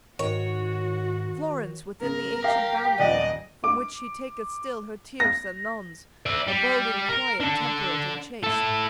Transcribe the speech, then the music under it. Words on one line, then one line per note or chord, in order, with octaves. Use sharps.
Florence, within the ancient boundary From which she taketh still her tierce and nones, Abode in quiet, temperate and chaste.
G#2 D#3 F#4 C#5
C#3 A#4
G4 F5
D#1 D5 D#5 F#5
D6
A#6
D5 E5
G3
A#4
D4 A4
E4 A4